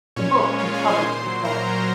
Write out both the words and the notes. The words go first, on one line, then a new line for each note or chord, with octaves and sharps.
The book was published in France.
A#2 C#4 C#5
G#3
A#2 F4 F5
G#4 G#5
G#3
C5 C6
A#2
F#3
A#2 A#4 A#5
F#3